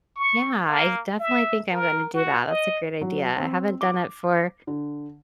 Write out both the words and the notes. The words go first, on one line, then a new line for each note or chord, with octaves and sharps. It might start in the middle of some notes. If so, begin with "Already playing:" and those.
Yeah, I definitely think I'm gonna do that, that's a great idea, I haven't done it for
C#6
A#3
E5
A#4
F#4
D#5
F#3
C4
D6
D3